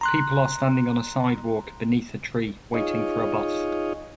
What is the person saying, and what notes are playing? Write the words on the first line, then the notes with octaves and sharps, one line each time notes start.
People are standing on a sidewalk, beneath a tree, waiting for a bus.
A#5 C6 F#6
D#4 F4 G#4 C#5 D#5